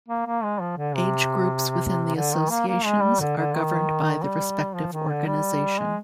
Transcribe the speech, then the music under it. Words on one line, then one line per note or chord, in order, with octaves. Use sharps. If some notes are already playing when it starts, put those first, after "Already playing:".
Age groups within the associations are governed by the respective organization.
A#3
A#3
G#3
F3
D3
C3
D3
D#3
A#3
A#3
G#3
G3
D3
D3
D#3
G3
F3
D#3
D3
G3
G#3